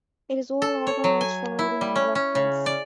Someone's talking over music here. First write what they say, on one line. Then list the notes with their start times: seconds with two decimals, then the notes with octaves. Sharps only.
It is well organized for reading and reference.
0.62 A4
0.87 C#5
1.04 F#3
1.21 G#5
1.59 E4
1.81 G3
1.95 C#4
2.15 C#4
2.35 C#3
2.66 D5